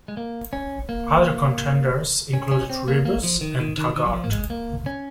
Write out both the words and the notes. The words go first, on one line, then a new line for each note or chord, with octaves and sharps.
Other contenders included "Rebus" and "Taggart".
G#3
A#3
C#4
A#3
C#4
C#4
C4
A#3
A#3
F3
D#3
D#3
D#3
D#3
F#3
F3
A#3
G#3
A#3
C#4